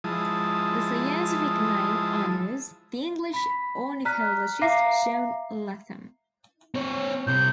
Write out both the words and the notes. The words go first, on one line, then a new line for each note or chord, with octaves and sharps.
The scientific name honours the English ornithologist John Latham.
F3 G#3 E4 A5 D#6
B5 B6
D5 A#5 F6 F#6 B6
E5 F5 A#5 D6 A#6 C7
C4 C#5
C2 C3 G6